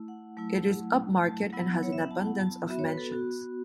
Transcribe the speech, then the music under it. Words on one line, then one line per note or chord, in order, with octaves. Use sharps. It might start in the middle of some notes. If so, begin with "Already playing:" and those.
It is upmarket and has an abundance of mansions.
Already playing: A3 E4
F#5
F#3 A3 E4
A5
F#3 B3 E4 F#5
C#5
E5
F#5
A5
F#5
A5
B3 F#4 E5
C#5
B4
A4
F#4